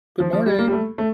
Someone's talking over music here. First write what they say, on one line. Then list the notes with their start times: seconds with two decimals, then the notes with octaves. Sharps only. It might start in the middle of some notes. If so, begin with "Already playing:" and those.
Good morning.
0.20 F3
0.33 F3
0.46 G3
0.59 A#3
0.67 G3
0.72 A3
0.98 A3